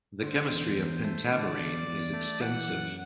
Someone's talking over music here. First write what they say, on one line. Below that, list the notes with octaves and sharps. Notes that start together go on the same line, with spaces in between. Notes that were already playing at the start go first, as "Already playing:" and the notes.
The chemistry of pentaborane is extensive.
D3 C5
E2
E2
A3
D3 D5
E2
E2
A3
E3 F#5
F#2